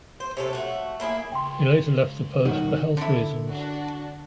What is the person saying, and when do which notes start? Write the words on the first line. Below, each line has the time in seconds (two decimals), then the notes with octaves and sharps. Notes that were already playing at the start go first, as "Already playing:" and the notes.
He later left the post for health reasons.
0.20 C5
0.37 C3 C#4 A4
0.53 A3 F#4
1.00 A3 A#3 E4 G#4
1.32 C#2 G5 C6
2.45 D2 B2 D#3 G3 F#4 C#5
2.97 D3 E4
3.47 D4 F#4